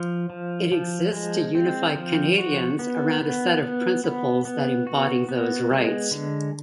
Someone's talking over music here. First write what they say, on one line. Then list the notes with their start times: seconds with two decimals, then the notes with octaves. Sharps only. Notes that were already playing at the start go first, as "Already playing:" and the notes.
It exists to unify Canadians around a set of principles that embody those rights.
Already playing: F3
0.30 F3
0.72 F3
1.13 G#3
1.55 C4
1.95 F3
2.38 F#4
2.79 B3
3.21 B3
3.62 B3
4.04 B3
4.45 B3
4.87 F#4
5.29 B3
5.71 G#3
6.11 D3